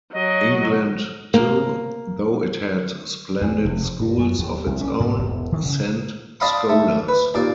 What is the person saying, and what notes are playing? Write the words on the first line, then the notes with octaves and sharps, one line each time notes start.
England too, though it had splendid schools of its own, sent scholars.
F#3 D#5
A#3
E2
F1
G2
F#2
D#2
C2
C#4
G#2
E1
D#3
C#3
D4 D5 D#5 F5 B5 C6
A3
B4
D#2 A#2 D5